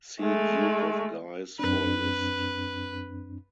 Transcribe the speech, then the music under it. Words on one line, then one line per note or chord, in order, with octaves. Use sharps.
See Duke of Guise for a list.
G#3 A3
F#2 C4 D4 B4